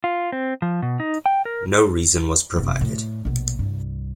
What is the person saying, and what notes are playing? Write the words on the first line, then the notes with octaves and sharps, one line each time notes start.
No reason was provided.
F4
C4
F3
B2
D#4
G5
A#4
F#1 C3
A2
A#1 B2
C2 G2